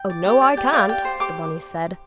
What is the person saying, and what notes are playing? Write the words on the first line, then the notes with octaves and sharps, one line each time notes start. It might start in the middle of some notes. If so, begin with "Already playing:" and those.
"Oh, no, I can't!" the bunny said.
Already playing: G5
D5
G4
D5
G4 G5
D5 F5
G4 G5
C5
G4 D6